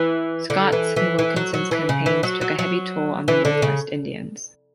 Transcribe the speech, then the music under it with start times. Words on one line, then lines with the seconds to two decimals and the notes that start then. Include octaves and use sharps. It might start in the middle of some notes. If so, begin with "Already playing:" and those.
Scott's and Wilkinson's campaigns took a heavy toll on the Northwest Indians.
Already playing: E3
0.50 D3
0.72 E3
0.96 E3
1.19 E3
1.36 F#3
1.54 F#3
1.71 E3
1.89 C#3
2.06 E3
2.23 F#3
2.41 F#3
2.59 F#3
3.28 E3
3.45 D3
3.62 C#3